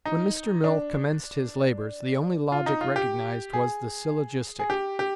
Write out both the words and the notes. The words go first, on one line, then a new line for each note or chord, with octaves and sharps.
When Mr. Mill commenced his labors, the only logic recognized was the syllogistic.
D#4
D4
F4
D#4
F4
G4
G#4
G#4
G4
G4